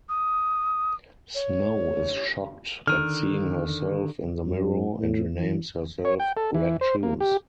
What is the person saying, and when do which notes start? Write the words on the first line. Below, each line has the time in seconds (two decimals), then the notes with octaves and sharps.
Snow is shocked at seeing herself in the mirror and renames herself "Red Shoes".
0.09 D#6
1.35 C#5
2.87 D3 D#3 F6
4.45 F#2
4.99 A2
5.37 E3
6.05 C#5
6.20 G5
6.37 A4
6.54 E3
6.81 C5
7.03 A#3
7.20 G4